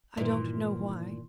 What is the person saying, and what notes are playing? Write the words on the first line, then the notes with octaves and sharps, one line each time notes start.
I don't know why.
G2 A#2 D#3 E3